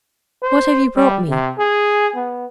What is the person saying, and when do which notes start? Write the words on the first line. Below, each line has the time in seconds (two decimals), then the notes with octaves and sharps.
What have you brought me?'
0.42 C5
0.96 G3
1.29 C3
1.58 G#4
2.16 B3